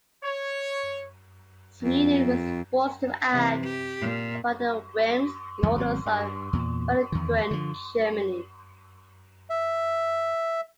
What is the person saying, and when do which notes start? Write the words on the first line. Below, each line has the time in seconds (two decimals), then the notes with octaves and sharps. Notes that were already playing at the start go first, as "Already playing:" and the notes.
Sweden was forced to act upon the whims and orders of a belligerent Germany.
0.23 C#5
1.83 F2
3.32 C3 E3
3.63 G4
4.01 A#2
5.63 C2 F2 D#3 A3
5.76 G#1 F#3 C4
6.06 G2
6.53 E2 A#2
7.12 E2 D#3
7.51 D3 F3
9.50 E5